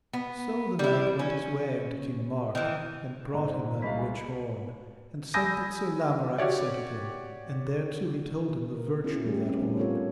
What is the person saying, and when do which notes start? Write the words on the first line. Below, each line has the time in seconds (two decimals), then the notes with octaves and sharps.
So the knight went his way unto King Mark, and brought him that rich horn, and said that Sir Lamorak sent it him, and thereto he told him the virtue of that horn.
0.13 B3
0.79 G3 E4
1.19 C#4
2.55 D#3 E3
3.34 G#2 C4 D#5 A#5
3.82 C2 G#3 D#5 F5 B5 B6
3.98 G#4 G#5
5.34 G#5 B5 D#6 E6 G6 A#6
6.38 F#4 G4 C#5 D5
8.75 A#4
9.04 B3 C#4 E4 G#4
9.26 G3 A3 G4 G#4
9.46 C4 C#4
9.58 G3 A3 C4 D#4
9.77 B3 F4 G4 A4 A#4 C#5